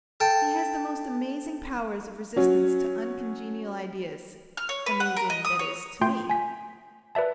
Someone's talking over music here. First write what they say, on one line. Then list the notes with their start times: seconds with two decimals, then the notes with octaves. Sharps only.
He has the most amazing power of resistance to uncongenial ideas; amazing that is, to me.
0.20 A4 G5
2.36 F#3 C#4
4.57 F6
4.69 C#5
4.86 B4
5.00 F#5
5.16 A#4
5.30 D#5
5.45 D#6
5.59 C#5
6.01 A3 F4 G5 C6 G6
6.30 G#5 B6
7.15 B4 D5 E5 A5